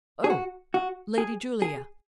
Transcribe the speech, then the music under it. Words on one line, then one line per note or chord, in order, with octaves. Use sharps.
"Oh, Lady Julia!"
G#4
F#4
F#4
G#4
G#4